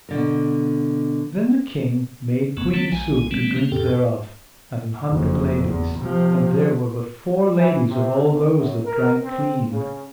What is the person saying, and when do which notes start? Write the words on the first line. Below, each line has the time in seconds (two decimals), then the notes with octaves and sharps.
Then the king made Queen Isoud to drink thereof, and an hundred ladies, and there were but four ladies of all those that drank clean.
0.09 B2 D3 A#4
2.57 F#2 C#3 A3 B3
2.74 D3 E3 G3 A3 B3 C#4
2.92 A#1 G#3 G#5
3.31 C3 E3 G3 A3 B3 C#4
3.56 C3 A#3 C4 C#4
3.72 F2 A2 G4 A4 G5
5.08 F#1 F2
5.70 E2
5.99 C3 F3
7.58 E3
7.88 C3
8.26 B1
8.56 F#2
8.85 A#4
9.23 C4
9.71 C#3